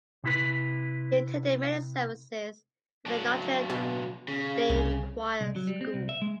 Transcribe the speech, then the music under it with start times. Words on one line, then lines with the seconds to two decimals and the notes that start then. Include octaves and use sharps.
He attended many services at the Notre Dame Choir School.
0.24 C3 E4 B4
3.06 F#3 D4
3.70 B2
4.28 C#3
4.70 C2
5.41 C2
5.56 F#3
5.67 G3
5.81 C4
5.94 C2
6.09 E5
6.22 G#3